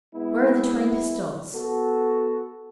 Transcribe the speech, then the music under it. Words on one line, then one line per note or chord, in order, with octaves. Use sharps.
"Where are the twenty pistoles?"
G#3 B3 E4
B3 F#4 A4